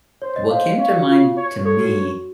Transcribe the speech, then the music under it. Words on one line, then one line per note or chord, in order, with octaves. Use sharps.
what came to mind to me,
C5 C#5
D#5
C5 F5
C#5 F5
F#4
F4
C#5
A4 C#5
F#4